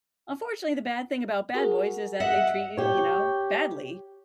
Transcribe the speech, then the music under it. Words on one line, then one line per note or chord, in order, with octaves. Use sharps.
unfortunately, the bad thing about bad boys is that they treat you, you know, badly.
F#4 G#4 A#4
D#5 E5 F#5
G4 C#5